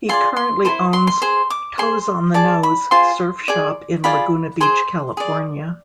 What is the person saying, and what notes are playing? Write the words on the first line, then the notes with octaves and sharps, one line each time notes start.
He currently owns "Toes on the Nose" surf shop in Laguna Beach, California.
F4 G#4 D5 C6
C6
E4 A4 C5 C6
C6
C6
G#4 C5 C6
D6
G#4 C5 C6
G#4 D5 A5
B5
F4 G#4 C5 C6
G#4 D5
F4 G#4 D5 B5
G#4 C5 C6
G#4 D5